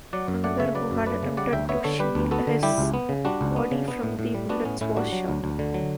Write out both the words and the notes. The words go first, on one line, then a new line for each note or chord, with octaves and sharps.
Another who had attempted to shield his body from the bullets was shot.
F#3 D5 F#5
F#2
A3 D5 F#5
C#3 C#5 E5
F#3 B4 D5
F#2
A3 B4 D5
C#3
G3 D5 F#5
D2 E5 G5
B3 C#5 E5
D3 A4 C#5
G3 G4 B4
D2
B3 F#4 A4
D3
G3 E4 G4
C#2
B3
C#3
G3 D4 F#4
C#2
B3
C#3
B3
A2
A2
G3
B3 D4 F#4
A2 C#4
A2 C#4 E4
G3 D4 F#4
F#3
D2
D2
D3
F#3